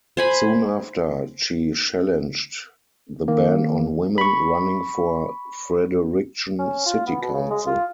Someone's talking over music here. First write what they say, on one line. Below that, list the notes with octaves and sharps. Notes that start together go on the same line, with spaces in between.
Soon after, she challenged the ban on women running for Fredericton City Council.
C5 G#5 B5
D#3 A#3
B5 C#6
C#4
F4
B3
B2
C#3
G#3
F4